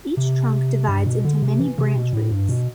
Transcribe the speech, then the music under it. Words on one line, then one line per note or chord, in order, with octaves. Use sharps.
Each trunk divides into many branch routes.
C3
G2
B2
D3
C3
E3
C3
B2
A2
G2
B2